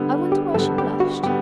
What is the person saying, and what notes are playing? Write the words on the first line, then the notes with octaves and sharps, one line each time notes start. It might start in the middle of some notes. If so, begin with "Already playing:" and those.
I wonder why she blushed.
Already playing: D3 G3 B3
G4
D3 G3 B3 A4
G4
F#4
D3 G3 B3 G4